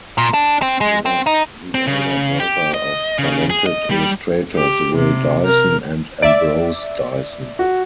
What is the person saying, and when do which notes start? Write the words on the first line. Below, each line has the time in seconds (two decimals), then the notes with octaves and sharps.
He was the elder brother of talented illustrators Will Dyson and Ambrose Dyson.
0.18 A#2
0.34 D4
0.62 C4
0.81 G#3
1.06 C4
1.26 D#4
1.75 C4
1.87 C#3
2.40 G4
2.74 D#5
3.19 C#3
3.50 G#4
3.66 D#5
3.91 G3
4.55 G4
4.96 C3
5.46 A#4
6.22 D5 E5 D7
7.59 F#4